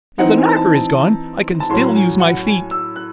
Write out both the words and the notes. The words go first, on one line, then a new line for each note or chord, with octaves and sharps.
"If the knocker is gone, I can still use my feet."
E3 C4 D#4 F#5
G#5
A5
A5
A5
A2 F#3 C#4 C6
G#5
F#5
G#5
E6
F#6